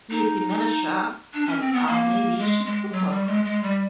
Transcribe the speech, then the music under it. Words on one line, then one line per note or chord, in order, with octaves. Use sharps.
He is the manager at Al-Nabi Chit football club.
D#4
D4
C#4
C4
B3
A#3
G#3
G#3
F#3
G3
G#3
G#3
G3